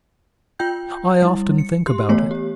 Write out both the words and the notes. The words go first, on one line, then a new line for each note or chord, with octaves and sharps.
I often think about it.
F4 G5 G6
G3 E4
C#7
G4 C6
E3 A3 B3 C#5
G4